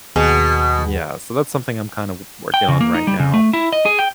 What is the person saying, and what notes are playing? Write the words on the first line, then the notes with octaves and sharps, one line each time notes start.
yeah, so that's something I'm kind of w working on right now.
D#2 B2 G#4
G5
C#3
A#3
D#4
G3
C#3
A3
E4
D#5
G#4
G5